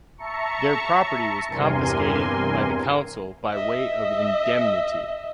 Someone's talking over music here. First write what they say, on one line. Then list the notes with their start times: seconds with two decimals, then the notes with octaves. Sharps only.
Their property was confiscated by the council by way of indemnity.
0.18 E5 A5 A#5 C#6 C#7
1.47 E2 G2 C3 A#4 G#5 C6
3.52 D#5 E5